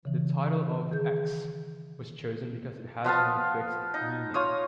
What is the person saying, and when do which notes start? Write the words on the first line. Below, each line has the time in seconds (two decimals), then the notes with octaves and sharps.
The title of "X" was chosen because it has no fixed meaning.
0.05 C#3 E3
0.92 D#3 G#4 G6
3.04 F3 B3 F5 A5
3.94 D#4
4.34 F4 C#5 D#6